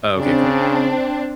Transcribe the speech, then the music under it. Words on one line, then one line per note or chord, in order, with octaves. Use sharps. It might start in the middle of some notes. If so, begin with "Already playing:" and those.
Oh okay, cool.
C#3 C4 D4